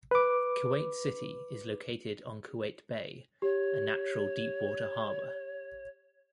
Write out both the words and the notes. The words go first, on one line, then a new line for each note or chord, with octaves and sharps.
Kuwait City is located on Kuwait Bay, a natural deep-water harbor.
B4 D6
G4 C#5